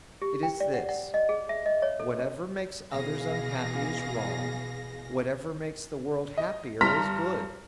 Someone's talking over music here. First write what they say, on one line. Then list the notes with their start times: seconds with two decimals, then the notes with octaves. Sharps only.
It is this: Whatever makes others unhappy is wrong; whatever makes the world happier is good.
0.22 G4
0.43 G5
0.60 D5
0.74 F#5
0.89 F#5
1.14 D#5
1.29 G#4
1.49 E5
1.66 D#5
1.82 C#5
2.00 A4
2.19 C#4
2.92 B2 E3 G#4 F5 A#6
6.38 D#5
6.81 G2 A#5 C6 F6 A#6 B6